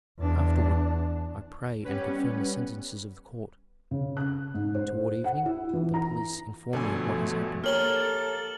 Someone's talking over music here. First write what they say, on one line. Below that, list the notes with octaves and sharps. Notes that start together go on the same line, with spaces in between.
Afterward I pray and confirm the sentences of the court; toward evening the police inform me of what has happened.
E2 D4
G3 B3 C#4 B4
C#3
F#6
G#2
C5
F#5
E4
E3
A#5
G1 B2 D3 F3 A3 A4 G#5
A#3 G4 A4 C#5 A#5 F6 F#7 G7